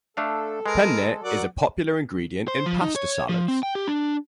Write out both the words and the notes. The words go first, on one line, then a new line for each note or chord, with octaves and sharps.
Penne is a popular ingredient in pasta salads.
A3 D4 A4 F5
G#3 A#4 B4
F#3 A#4 D5 F#5
C5
F3
D#4
C#5
F3
C4
G5
G4
D4